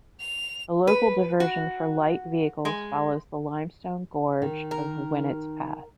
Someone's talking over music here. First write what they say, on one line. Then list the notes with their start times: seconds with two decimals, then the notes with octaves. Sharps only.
A local diversion for light vehicles follows the limestone gorge of Winnats Pass.
0.20 F7
0.87 B4
1.40 F#4
2.65 G#3
4.42 D#3
4.71 A#4